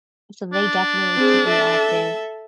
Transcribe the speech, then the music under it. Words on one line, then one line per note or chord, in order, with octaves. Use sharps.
so they definitely keep me active,
D4
C4 G#4
A4 E5